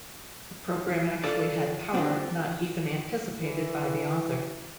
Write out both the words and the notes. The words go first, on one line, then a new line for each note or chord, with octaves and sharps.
The Program actually had power not even anticipated by the author.
F4 A4 D5
C4 D4 D#4 F4 G4
E3